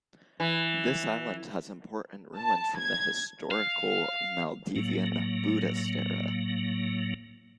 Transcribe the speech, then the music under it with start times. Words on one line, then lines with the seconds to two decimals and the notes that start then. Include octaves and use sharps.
This island has important ruins from the historical Maldivian Buddhist era.
0.40 E3
2.36 A5
2.79 G#6
3.51 F5
4.76 A2 F#3 A#3